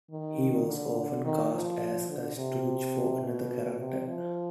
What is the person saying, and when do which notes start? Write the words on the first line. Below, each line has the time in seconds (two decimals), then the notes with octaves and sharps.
He was often cast as a stooge for another character.
0.11 D#3
0.68 D3
1.24 D#3
1.53 F3
2.10 D3
2.38 C3
3.23 B2
3.80 C3
4.08 F3